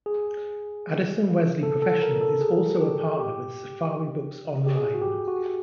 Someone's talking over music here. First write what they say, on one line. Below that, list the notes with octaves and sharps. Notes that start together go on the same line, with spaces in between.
Addison-Wesley Professional is also a partner with Safari Books Online.
G#4
A4
A4
A#4
A4
G#4
G4
G4
G4
G#4
F#4
G4
F#4